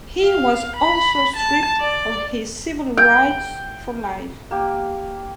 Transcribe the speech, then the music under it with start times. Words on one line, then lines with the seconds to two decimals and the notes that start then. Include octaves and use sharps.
He was also stripped of his civil rights for life.
0.23 F5
0.76 B5
1.36 A5
1.80 D5
2.97 G5
4.51 A#3 G4